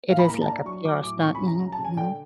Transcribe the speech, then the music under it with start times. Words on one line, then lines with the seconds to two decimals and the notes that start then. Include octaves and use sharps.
It is, like, a PR stunt. Mhm, mhm.
0.09 A2 F5
0.19 B5
0.28 A#3 A#5
0.41 A5
0.47 D4 A#5
0.65 F#3 C#6
0.85 F#3 D6
1.03 A2 D6
1.22 F2 C#6
1.35 B5
1.41 C#3
1.47 A#5
1.60 F#3 A#5
1.72 A5
1.79 C#3
1.85 G#5
1.97 D3 G5